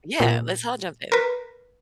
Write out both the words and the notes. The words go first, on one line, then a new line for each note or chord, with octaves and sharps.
Yeah, let's all jump in.
A#2
A#4 B4